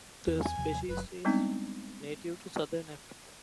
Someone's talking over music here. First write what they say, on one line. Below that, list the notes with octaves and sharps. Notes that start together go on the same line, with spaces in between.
The species is native to Southern Africa.
E2
G#5
D#2 C3 F3
F#1 F#2 F#3 B4
G3 G#3 B3 C4 D4 D#4